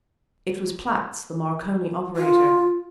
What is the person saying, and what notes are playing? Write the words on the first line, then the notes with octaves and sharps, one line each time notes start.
It was Platts, the Marconi operator.
F4